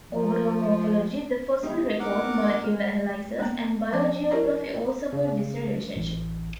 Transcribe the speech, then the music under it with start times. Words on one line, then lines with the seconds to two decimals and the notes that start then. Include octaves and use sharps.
Overall morphology, the fossil record, molecular analyses, and biogeography all support this relationship.
0.10 F3
1.63 G1 D#4 G4
2.00 G1 A#4 F#5 D6
2.64 C#2 F6
3.39 G#3 A#3 B3 A#5
3.93 F3 A3 C4 C#4 D5
4.31 E4 G4 A#4 C#5 D#5 A#5
5.13 C#3
5.96 A1